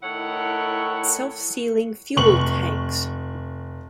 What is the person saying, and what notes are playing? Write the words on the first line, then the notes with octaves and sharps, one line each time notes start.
Self-sealing fuel tanks.
A2 D#3 E4 C#5 F#5
F1 C#6 F#7